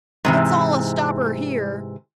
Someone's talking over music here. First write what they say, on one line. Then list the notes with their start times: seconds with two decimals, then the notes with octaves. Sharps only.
"It's all a stopper here."
0.25 G#2 C3 E3